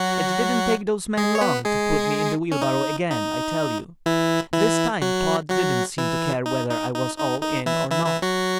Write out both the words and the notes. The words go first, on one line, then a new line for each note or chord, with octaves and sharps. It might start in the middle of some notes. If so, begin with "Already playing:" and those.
It didn't take those men long to put me in the wheelbarrow again, I tell you. This time Pod didn't seem to care whether I was all in or not.
Already playing: F#3 F#4
G#3 G#4
C#5
B3 B4
G#3 G#4
C#4
D#4
D#4
E3 E4
E3 E4
F#3 F#4
F#3 F#4
E3 E4
D#4
D#4
D#4
D#4
D#4
E3 E4
E3 E4
E3 E4
F#3 F#4